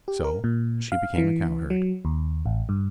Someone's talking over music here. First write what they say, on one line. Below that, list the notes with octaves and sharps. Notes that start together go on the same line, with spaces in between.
So she became a cowherd.
G4
A#4
A#2
F5
E3
F#3
D#2
A1
G2